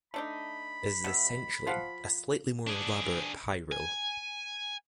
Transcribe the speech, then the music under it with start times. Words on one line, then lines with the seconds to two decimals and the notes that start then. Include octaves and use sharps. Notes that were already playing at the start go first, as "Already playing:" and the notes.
This is essentially a slightly more elaborate pie rule.
0.14 A3 D4 D#4 B5
1.04 B2 E5
1.67 F3 F5 F#5
2.67 D4 G#4
3.72 G#5